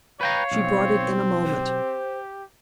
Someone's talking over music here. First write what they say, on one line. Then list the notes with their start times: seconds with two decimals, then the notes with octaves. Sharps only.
She brought it in a moment.
0.21 B4 C#5 F5 G5 A#5
0.52 B1 C4
1.46 G4 C5